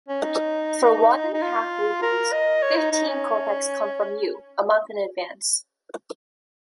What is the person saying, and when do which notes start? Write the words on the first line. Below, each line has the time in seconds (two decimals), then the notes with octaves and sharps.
For one and a half rubles, fifteen kopecks come from you, a month in advance.
0.08 C#4
0.23 D#4
1.34 D#4
1.42 F4
2.02 A#4
2.32 D#5
2.62 C#5
2.77 D#4
2.92 D#4
3.07 C#4